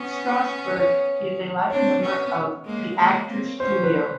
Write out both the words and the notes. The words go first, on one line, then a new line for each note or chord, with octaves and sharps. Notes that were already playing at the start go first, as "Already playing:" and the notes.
Strasberg is a life member of The Actors Studio.
Already playing: B3 C#4
C#5
C4 D4 C#5
B3 C#4
G#3 A#3
G#3 A#3
A#3 C4
B3 C#4 C5
B4